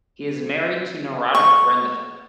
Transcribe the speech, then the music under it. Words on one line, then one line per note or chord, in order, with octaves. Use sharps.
He is married to neurotic Brenda.
C#6